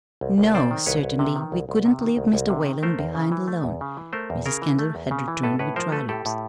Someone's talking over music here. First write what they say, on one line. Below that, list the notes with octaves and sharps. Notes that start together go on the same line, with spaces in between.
"No, certainly we couldn't leave Mr. Whalen behind alone," Mrs. Kendall had returned with dry lips.
C2
C2
C3 C5 D5
D#3
C2 B4 C#5
C2
C3
D#3
C2
C2
C3
D#3
C2
C2
C3
D#3
A3 A#4 C5
E2
C#3
E3
A3
E2
C#3
E3
A3 A#4 C5
E2
C#3 G#4 A#4
E3
A3
E2
C#3
E3
A2 A4 B4
A2 B4 C#5
F3 A#4 C5
A3 A4 B4
A2 G4 A4
A2